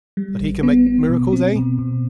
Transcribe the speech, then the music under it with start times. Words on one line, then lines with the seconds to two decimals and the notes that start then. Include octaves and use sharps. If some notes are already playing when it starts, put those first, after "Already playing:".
That he can make miracles, eh?
0.17 G3
0.40 A1
0.63 B3
0.86 B3
1.09 B2
1.33 C4
1.56 B2
1.79 B2